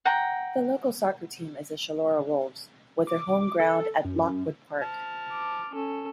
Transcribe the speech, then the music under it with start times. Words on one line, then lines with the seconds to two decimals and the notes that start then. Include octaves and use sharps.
The local soccer team is the Chullora Wolves, with their homeground at Lockwood Park.
0.05 F#5 G5 A#5
3.07 D6
3.60 A4
4.05 F#2
4.82 A5 F6
5.32 D6
5.72 C#4 A4